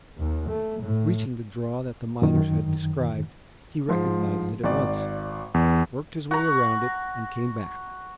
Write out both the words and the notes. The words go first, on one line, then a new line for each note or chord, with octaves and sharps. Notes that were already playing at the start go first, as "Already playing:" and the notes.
Reaching the draw that the miners had described, he recognized it at once, worked his way around it and came back.
D#2
A3
A2
F#2 D#3
G#2 F3 C6
G#1 D5
E2
F#4 A#5